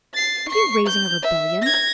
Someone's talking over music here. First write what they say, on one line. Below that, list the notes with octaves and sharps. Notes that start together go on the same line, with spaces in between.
"Are you raising a rebellion?"
A6 C7
C#6 C7
G6
E5
G#6 A#6